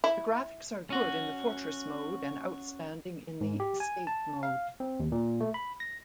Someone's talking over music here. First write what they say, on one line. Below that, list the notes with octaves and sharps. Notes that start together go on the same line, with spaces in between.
The graphics are good in the "Fortress" mode and outstanding in the "Escape" mode.
E4
C#4 F#4
G#2
G4
G#5
A5
F5
C4
D#2
A#2
A3
B5
A#6